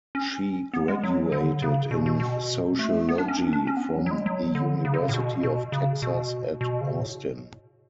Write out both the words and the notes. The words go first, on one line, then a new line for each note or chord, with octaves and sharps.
She graduated in sociology from the University of Texas at Austin.
C#4
B3
G#3
F#3
D3
C#3
B2
B2
B2
A3
B3
D4
C#4
D4
D4
C#4
B3
C#4
F#3
F#3
G#3
F#3
D3
C#3
D3
C#3
A2
B2
B2
C#3
B2
B2
C#3
B2
A2